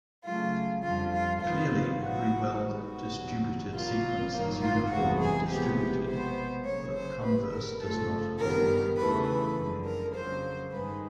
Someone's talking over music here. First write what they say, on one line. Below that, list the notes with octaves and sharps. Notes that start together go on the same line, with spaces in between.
Clearly every well-distributed sequence is uniformly distributed, but the converse does not hold.
C#3 F#3 A3 F4
F2 D3 G3 F4
F4
C3 D#3 G3 B3 F4
A#2 F#3 B3 F#4
G#2 D#3 G3 B3
F#4
E2 B2 F#3
B2 F#3 A#3 F4
G2 D#3 F#3 A#3
F4
E2 C3 E3 G#3 B3 F#4
G#4
C3 F3 G#3 B3 G4
G4
B2 G#3 B3 C5
C#3 F#3 A#3 C#5
C5
B2 G3 B3 B4
A#4
F#2 C#3 F3 A3 A4
G2 D#3 G3 B3 A#4
E2 C#3 E3 A3 B4
B4
F#2 D3 F3 G#3
A#4
F2 C#3 F#3 A#3 C5
G2 D#3 G#3 B4